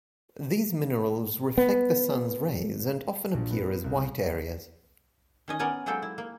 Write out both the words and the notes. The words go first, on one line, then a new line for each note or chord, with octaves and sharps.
These minerals reflect the Sun's rays and often appear as white areas.
B3
A#1
B3
C2
D#3 C#4 D#5
B3 C#4 A#4 D5 G#5
F#3 G#3 A#3 C4 A4 G5
E4
A#3